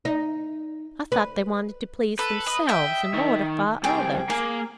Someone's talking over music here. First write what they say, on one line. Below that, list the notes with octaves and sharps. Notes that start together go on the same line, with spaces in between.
I thought they wanted to please themselves and mortify others.
D#4
B4
A4 B4
D#5
D#5 E5 G5
D#3
C2 G#4 G5
A#3 G#4